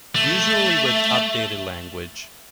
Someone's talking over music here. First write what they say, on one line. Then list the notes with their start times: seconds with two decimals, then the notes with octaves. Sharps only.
Usually with updated language.
0.16 A3